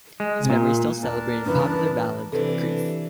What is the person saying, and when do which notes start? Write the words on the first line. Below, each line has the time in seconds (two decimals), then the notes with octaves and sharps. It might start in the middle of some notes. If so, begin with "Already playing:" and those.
His memory is still celebrated in popular ballads in Greece.
0.20 G#3
0.50 A#2
1.03 D#1 D4 A#4 A5
1.46 G2 C#3 E3 B4
2.32 C3 E3 D4 A4 B4